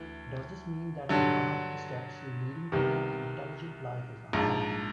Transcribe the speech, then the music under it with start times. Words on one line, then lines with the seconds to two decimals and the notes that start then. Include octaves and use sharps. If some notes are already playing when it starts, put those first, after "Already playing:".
Does this mean that one of the steps leading to intelligent life is unlikely?
Already playing: D2 E3
1.09 G2 D3 F#3
2.72 C2 C3 D#3 G3 B3
4.33 A#1 G#2 F3